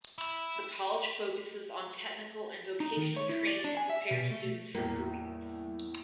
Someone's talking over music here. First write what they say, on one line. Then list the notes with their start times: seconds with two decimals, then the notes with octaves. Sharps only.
The college focuses on technical and vocational training to prepare students for careers.
0.18 E4
2.80 D#4
2.97 D#3
3.17 C#5
3.29 E4
3.47 D5
3.64 D4
3.77 G#5
3.90 E5
4.11 B2
4.31 A3
4.75 E2 A2 G3 A#3